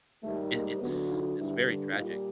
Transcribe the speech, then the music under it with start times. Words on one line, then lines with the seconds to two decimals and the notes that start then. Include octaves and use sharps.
It it's it's very tragic.
0.22 G#2 D#3 G3 A3
0.50 G#3 A#3
0.79 D2 D3 F#3 A3 B3
1.07 D#4 F4
1.35 G2 D3 G3 D4 E4
1.92 A#2 G3 D#4 F4